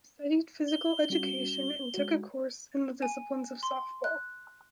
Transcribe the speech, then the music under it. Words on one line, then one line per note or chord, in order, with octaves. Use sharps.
She studied physical education and took a course in the disciplines of softball.
G7
G3 C#4 F#4
G#3 F#4
G#5
C6
F#6